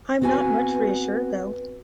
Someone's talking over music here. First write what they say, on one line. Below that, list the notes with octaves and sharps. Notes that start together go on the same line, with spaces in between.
I'm not much reassured though.
B3 C4 F#4 B4 G#5